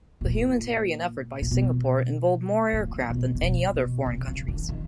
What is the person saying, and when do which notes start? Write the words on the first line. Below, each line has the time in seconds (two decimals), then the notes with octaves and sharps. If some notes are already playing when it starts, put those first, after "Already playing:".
The humanitarian effort by Singapore involved more aircraft than any other foreign countries.
0.21 B2
0.25 A#2
1.42 A#2
1.51 B2
2.73 A2
2.79 A#2
3.10 B2
3.35 C3
3.43 B2
3.74 B2
4.06 C3
4.28 C#3
4.48 D3
4.69 D#3